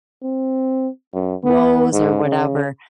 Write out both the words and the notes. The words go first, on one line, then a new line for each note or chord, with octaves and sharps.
woes or whatever.
C4
F#2
B3
G#2
C#3